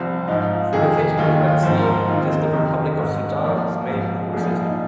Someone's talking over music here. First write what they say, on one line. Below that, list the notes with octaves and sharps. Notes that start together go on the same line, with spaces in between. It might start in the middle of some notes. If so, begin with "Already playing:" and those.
Located on the Red Sea, it is the Republic of Sudan's main port city.
Already playing: C2 C3 F3 C4
G#2 F3 D#4
F4
F2 C3 D#3 G#4
D#2 D#3 F4
D#4
F4
G#2 F3 C5
A#4
F4
D#2 D#3 D#4
C4
C5
A#4
F2 C3 D#3
G#2 D#3
C2 A#2 F3 A#4
G#2
F3
C2 A#2 F3 G#4
D#4